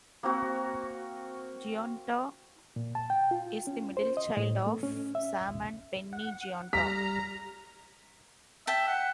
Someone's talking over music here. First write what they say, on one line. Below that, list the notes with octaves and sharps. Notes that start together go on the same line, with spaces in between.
Gionta is the middle child of Sam and Penny Gionta.
A#3 C4 F#4
A#2
A5
G5
F4
C#4
C5
D#5
A2
A3
C#4
E5
F#5
G3 A#5 F6 B6
E5 G5 A5
F#5